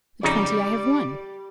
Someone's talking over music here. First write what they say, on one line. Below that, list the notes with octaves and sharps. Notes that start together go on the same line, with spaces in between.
"The twenty I have won."
F2 C#3 G3 D#4 D5